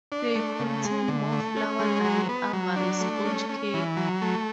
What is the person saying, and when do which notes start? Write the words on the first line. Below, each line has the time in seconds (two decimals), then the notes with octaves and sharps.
They contain more flour than the average sponge cake.
0.12 D4
0.35 A3
0.60 C#3
0.84 G#3
1.08 D3
1.32 A3
1.57 C#4
1.80 G#3
2.05 F#3
2.29 B3
2.53 F#3
2.76 D4
3.00 A3
3.25 C#4
3.49 C#4
3.74 E3
3.97 F#3
4.22 A3